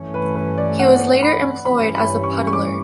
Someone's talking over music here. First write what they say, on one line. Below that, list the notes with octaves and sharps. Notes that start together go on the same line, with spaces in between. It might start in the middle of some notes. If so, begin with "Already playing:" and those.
He was later employed as a puddler.
Already playing: G2 E3 A3 C#4
B4
B4
D5
F#5
B5
G2 E3 G3 C#4 B5
B5
C#6
C#6
D6